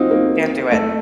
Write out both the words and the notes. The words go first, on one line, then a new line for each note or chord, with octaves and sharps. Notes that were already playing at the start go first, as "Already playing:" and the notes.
Can't do it.
Already playing: C4 D#4 F4 F#4
A#3
A3